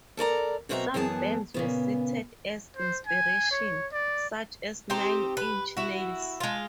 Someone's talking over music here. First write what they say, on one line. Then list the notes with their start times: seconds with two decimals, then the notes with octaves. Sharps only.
Some bands were cited as inspiration, such as Nine Inch Nails.
0.17 A4 A#4 D5 A#5
0.69 F#2 B2 C4 F#4 E5 A#5
0.94 F#2 E3 B3 G#4 A5
1.54 A#2 C#3 B3
2.77 C5
3.07 G#5
3.51 C#5
3.92 D5
4.90 C4 D#4 G4 C5
5.37 B4
5.77 E4 F#4
6.40 G#3 F4